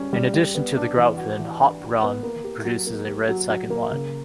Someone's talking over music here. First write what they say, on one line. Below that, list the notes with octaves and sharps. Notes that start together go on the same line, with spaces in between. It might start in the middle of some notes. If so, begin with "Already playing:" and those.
In addition to the "grand vin", Haut-Brion produces a red second wine.
Already playing: G3 C#4
G3
G3
B3
D4
E3
F#4
E3
D4
F#4
B3
A#3
G4
F#3
A#3
G4
F#3
F#3
A#3
C#3